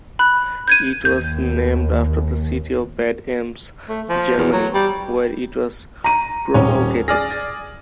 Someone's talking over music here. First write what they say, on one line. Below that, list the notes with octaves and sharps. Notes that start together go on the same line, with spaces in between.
It was named after the city of Bad Ems, Germany, where it was promulgated.
B5 F#6
G6 G#6 D#7
D#2 G6
A3
F3
E2
F#3
G3
A#5 D#7
D#1 C#4 C#5
G#4 D5 F6 A#6